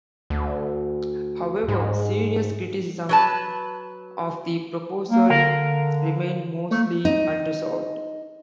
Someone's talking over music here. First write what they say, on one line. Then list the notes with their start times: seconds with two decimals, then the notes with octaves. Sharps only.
However, serious criticisms of the proposal remained mostly unresolved.
0.30 D2
1.68 G#2
3.09 F#3 B4 A5
5.09 A#3
5.30 D3 A#4 F5
6.71 A3 A#3
7.05 D#4